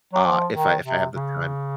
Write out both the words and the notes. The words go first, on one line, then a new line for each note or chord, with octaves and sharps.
uh, if I if I have the time.
F#3
F3
D#3
C3
C#3